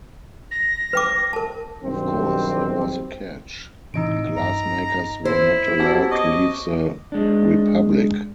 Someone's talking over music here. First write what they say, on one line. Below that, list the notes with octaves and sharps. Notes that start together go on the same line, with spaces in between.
Of course there was a catch: Glassmakers were not allowed to leave the Republic.
A#6
B4 G5 D6
A#4 A5
B1 G2 D#3 G3 C4 G4
A2 C3 E3 D#4 D#5 D7
G2 A#5
E4 C5
B3 C#4 F#4 G4 C#5 A5
D#5 C#6 D6
G#3 D4